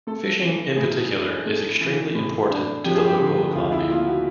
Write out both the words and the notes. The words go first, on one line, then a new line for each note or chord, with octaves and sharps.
Fishing in particular is extremely important to the local economy.
A3 A4
E3
A2 G#4
D4
A3
E3
A2
D4
F3 G4
G#4
G4
D3
D2 F4
E4
A#3 F4
F#4